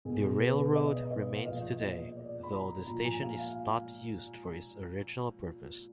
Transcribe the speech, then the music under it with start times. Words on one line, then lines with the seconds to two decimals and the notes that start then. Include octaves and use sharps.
The railroad remains today, though the station is not used for its original purpose.
0.05 B2 G#4
0.40 B4
0.75 D#5
1.11 D#5
1.36 F5
1.46 A#2 F3 D#5
1.81 D#5
2.16 D5
2.43 B5
2.52 A#5
2.87 A#2 F3 A#5
3.05 G#5
3.23 F5
3.40 F5